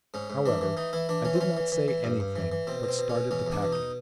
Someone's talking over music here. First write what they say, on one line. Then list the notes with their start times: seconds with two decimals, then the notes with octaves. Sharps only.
However, I did not say anything, but started the packing.
0.14 G#2 C#4
0.30 G#2
0.46 E3 D4
0.61 E3
0.77 E3 D#4
0.93 E3 E4
1.09 E3 D4
1.25 E3 C#4
1.35 C4
1.41 E3 C#4
1.57 E3
1.72 E3
1.88 E3
2.04 G2
2.20 G2
2.36 E3
2.52 E3
2.67 B2 C4
2.83 B2
2.88 C4
2.99 B2
3.10 C#4
3.15 B2
3.31 E2 C#4
3.47 E2 D4
3.62 B2
3.72 D#4